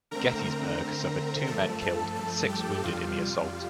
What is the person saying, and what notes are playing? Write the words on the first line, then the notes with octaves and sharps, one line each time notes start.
"Gettysburg" suffered two men killed and six wounded in the assault.
D3 A3 C4 A#4 A#5
A#4 A#5
G2 F3 A3 A4 A5
A4 A5
A4 A5
G4 G5
F2 C3 G3 F4 F5